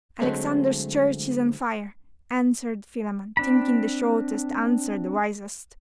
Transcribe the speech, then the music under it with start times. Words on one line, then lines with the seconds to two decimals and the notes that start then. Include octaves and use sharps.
'Alexander's church is on fire,' answered Philammon, thinking the shortest answer the wisest.
0.22 D3 F#3 G#3 A3 C4
3.37 C4 D4 B5